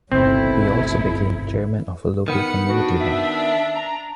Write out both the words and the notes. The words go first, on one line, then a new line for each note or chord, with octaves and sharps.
He also became chairman of a local community bank.
G1 C2 G2 B2 D#3 A3 C4 E4
D#3 B3 F#5 C#7
D4 F#4
E5
A#5